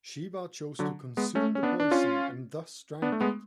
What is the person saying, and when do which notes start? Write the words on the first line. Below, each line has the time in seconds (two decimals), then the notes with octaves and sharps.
Shiva chose to consume the poison and thus drank it.
0.79 D3 F#3
1.17 G#3 B3
1.35 A3 C#4
1.55 C#4
1.63 B3 D4
1.80 D4
1.91 C#4 F4
3.02 B3 D4
3.12 A3
3.21 G#3 B3